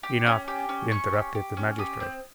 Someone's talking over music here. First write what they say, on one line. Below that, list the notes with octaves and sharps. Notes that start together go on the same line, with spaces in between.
"Enough," interrupted the magistrate.
G4
C#4
G4
C#4
C#4 C#6
G4
G4
C#4
G4 D#6
C4